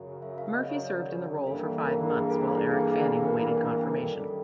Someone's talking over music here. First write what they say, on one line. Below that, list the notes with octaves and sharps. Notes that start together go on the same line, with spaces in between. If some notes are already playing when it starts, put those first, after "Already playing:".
Murphy served in the role for five months while Eric Fanning awaited confirmation.
Already playing: F#2 C#3 F#3
E5
F5
D#5
C#5
D5
C#5
G2 E3 G3 A#3 D4 A4
A#4
G#4
A4
A4
G#4
G#4
G#4
A4
A#4
B4
A#4
A#4
F#2 D#3 G3 A4
A4